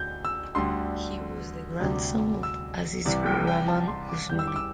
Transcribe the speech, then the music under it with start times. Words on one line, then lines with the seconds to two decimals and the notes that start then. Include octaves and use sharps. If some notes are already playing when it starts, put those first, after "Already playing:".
He was the grandson of Azizur Rahman Usmani.
Already playing: D2 G6
0.25 E6
0.55 D2 D3 G3 C6
1.80 D2 C3 G3 D4
2.43 E6
3.05 C2 C3 E3 D5
3.26 G5
3.47 G5
3.68 A5
3.88 C6
4.09 D6
4.29 E2 E3 G3 G6
4.39 E6
4.47 D6
4.56 E6